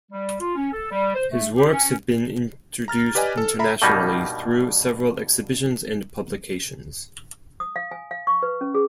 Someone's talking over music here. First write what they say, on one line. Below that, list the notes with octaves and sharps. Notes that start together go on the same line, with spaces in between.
His works have been introduced internationally through several exhibitions and publications.
G3
F4
C#4
A4
G3
C5
A3
G4
C#4
A#5 F6 A6
G4 B4 D5 D#5 G#5
A4
A4 E5 A#5 B5
G2 B2 G3 A#3 B3 D#4
D#6
F5
G#5
F5
C#6
B4
C#4
G#4